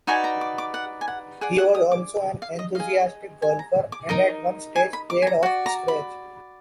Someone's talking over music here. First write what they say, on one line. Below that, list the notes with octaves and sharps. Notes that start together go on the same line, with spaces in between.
He was also an enthusiastic golfer, and at one stage played off scratch.
D#4 F#4 B4 D5 G#5
A#5
D6
D6
F#5
G#5
F#5
G#4 D5 F#5
F#5
D#6
D6
F5
D#5
G#4 D#5 F5
G#5
A#5
D6
D#4 A#4 D#5 A#5
G#5
B5
D6
G#5
A#5
F#4 D5 F#5
A#5
B5